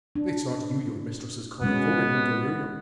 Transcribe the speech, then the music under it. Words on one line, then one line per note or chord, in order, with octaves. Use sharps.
It's not you your mistress is calling for in her delirium.
D4
B2 G#3 B3 C#4